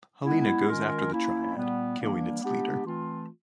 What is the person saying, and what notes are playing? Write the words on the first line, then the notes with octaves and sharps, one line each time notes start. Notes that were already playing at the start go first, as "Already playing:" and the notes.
Helena goes after the Triad, killing its leader.
G#3 B3 E4
D#3 G#3 C#4 F4 A#4
A#3 C#4 E4
A#2 G3 B3
E3 G3 A#3 D4
G#3 B3 D4 G4
E3 A3 C4 F4